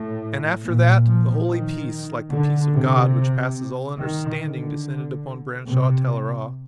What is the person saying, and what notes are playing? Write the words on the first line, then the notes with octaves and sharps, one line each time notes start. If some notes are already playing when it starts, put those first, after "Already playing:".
And, after that, a holy peace, like the peace of God which passes all understanding, descended upon Branshaw Teleragh.
Already playing: A2
A#2
F3
D#3
D3
C3
D#3
D3
C3